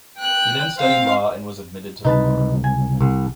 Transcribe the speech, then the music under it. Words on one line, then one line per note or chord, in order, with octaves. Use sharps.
He then studied law and was admitted to the bar.
G5 F#6
C4 F5
C#2 C3 D#4 B4 A5
G#5
C2